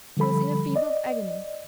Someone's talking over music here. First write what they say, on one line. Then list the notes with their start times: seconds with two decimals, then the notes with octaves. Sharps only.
She was in a fever of agony.
0.17 D3 F3 G3 A4 B5
0.76 D5 D#5